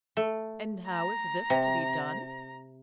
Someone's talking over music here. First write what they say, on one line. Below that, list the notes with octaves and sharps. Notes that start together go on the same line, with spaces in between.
"And how is this to be done?"
A3
A#5
C3